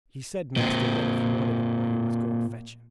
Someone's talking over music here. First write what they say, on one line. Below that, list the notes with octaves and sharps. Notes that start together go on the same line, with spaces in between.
"He said, master, that if you wanted the boy you must go and fetch him."
A#2 C4